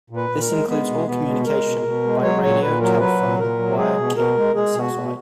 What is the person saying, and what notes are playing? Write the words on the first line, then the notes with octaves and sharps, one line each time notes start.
This includes all communication by radio, telephone, wire, cable and satellite.
A#2
B4
A#2
A#4
G#3
G#3 B3
B2
B2 B3
G#3
G#3 A#4
B2
B2
G#3
F#3 C#5
A#2 C#5
A#2 B4
F#3 A#4
F#3 B4
A#2
A#2 A#4
F#3
G#3 G#4
B2
B2 A#4
G#3
G#3 G#4
B2
F#4
B2